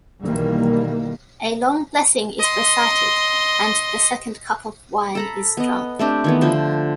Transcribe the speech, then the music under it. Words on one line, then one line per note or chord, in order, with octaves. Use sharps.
A long blessing is recited, and the second cup of wine is drunk.
B1 D#3 E3 G3 A#3
D#5 C6
A4 A#5 B5
B3 D#5
A3 C4 D4 G4
D#3 E3 B3
D3 F3 C5